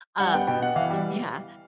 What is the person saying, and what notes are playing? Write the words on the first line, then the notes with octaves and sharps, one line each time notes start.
Um, yeah.
G3 F#5
B3 G5
B2 G5
B2 F#5
E3 F5
G3